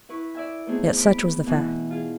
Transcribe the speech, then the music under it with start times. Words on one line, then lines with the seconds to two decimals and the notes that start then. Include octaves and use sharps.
Yet such was the fact.
0.09 E4 B4 C#6
0.35 D5 E5 G#5
0.66 A3 B3 C4 D#4 G#4
0.96 B5 D6
1.46 B2 E3
1.91 F4 G#4